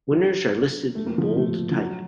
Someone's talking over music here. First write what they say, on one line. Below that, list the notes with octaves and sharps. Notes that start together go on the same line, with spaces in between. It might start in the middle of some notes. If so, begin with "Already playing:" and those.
Winners are listed in bold type.
F#3
A3
A#3
F3 A3
F3 A3
F3
F#3